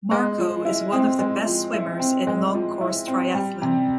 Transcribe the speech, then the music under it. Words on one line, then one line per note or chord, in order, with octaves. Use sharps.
Marko is one of the best swimmers in long course triathlon.
G#3
F3
E4
C4
G#3
F3
E4
C4
G#3
F3
E4
C4
G3
C3